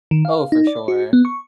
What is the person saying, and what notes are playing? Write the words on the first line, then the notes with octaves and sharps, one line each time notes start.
Oh, for sure.
D#3
F5
D#4
D5
F#4
B3
C#6